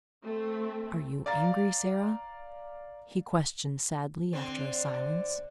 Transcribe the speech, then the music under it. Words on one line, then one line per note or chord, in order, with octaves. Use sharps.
"Are you angry, Sara?" he questioned sadly, after a silence.
A3 C4
D5 F5 A#5 A6
D3 C4